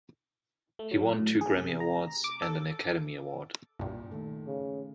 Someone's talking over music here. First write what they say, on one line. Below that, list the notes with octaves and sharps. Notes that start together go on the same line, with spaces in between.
He won two Grammy Awards and an Academy Award.
A3
F#3
A2
G#4
C3
A#5
D6
A4
C2 G2 A#2
D#3 A3 A4
C#3